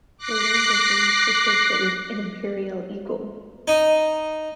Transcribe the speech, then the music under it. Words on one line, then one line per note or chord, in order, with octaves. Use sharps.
Later editions replaced it with an Imperial eagle.
D6 F#6 A#6 C7
D#4